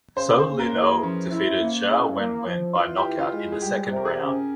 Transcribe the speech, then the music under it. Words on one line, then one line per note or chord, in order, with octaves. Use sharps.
Soe Lin Oo defeated Zhao Wen Wen by knockout in the second round.
C#3 C5
C5
A#3
A#4
E3
G#4
F3 C#4
E4
A#3
C#3 E4
A#3
F3
E3 F4
G4
E4
F4
G#3
G#4
G3 G4
C3
A#4
G#4
C#4